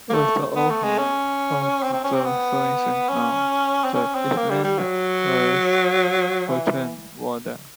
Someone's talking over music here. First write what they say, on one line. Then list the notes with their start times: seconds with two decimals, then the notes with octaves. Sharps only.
With the opening of the Suez Canal, the island's fortunes waned.
0.10 A#3
0.13 A3
0.56 B3
0.70 A3
0.83 G#3
0.98 C#4
1.83 C4
1.93 C4
2.04 C#4
2.14 C4
2.25 B3
3.09 C#4
3.84 C4
3.94 C#4
4.15 C4
4.37 A#3
4.50 G3
4.64 G3
4.79 F#3
6.48 E3